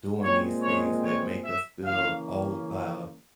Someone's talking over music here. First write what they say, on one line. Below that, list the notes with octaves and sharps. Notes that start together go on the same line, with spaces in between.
doing these things that make us feel old uh,
A#2 G#3 C4 C#5
C#5
C#5
E5
C#3 E3 A#3 C#4 F5